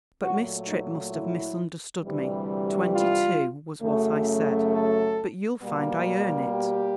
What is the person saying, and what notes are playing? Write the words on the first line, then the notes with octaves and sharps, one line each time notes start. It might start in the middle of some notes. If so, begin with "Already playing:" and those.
But Miss Tripp must have misunderstood me; twenty-two was what I said, but you'll find I earn it.
A#2 F#3 A3 F#4
D#4
E4
D2 C3 E3 G3
F4
F#2 C#3 F#3 A3
A4
B2 G3 A#3
G4